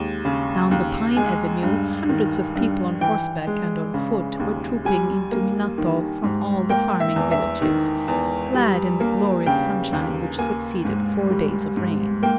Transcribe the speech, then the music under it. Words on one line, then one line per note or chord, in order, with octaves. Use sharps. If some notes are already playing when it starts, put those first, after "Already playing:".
Down the pine avenue hundreds of people on horseback and on foot were trooping into Minato from all the farming villages, glad in the glorious sunshine which succeeded four days of rain.
Already playing: D#2 G#3
C#3
D#2
G#3 G#5
G2
D#3
G2
E3 G5
G#3
C#3
D#2
G3 G#5
A#3
D#3
G#2
A#3 G5
E5
E2
E5
D#3
E2
G3
A#3
C#3 G5
D#2
A#3 G#5
G#2
G3
G#2
A#3 G5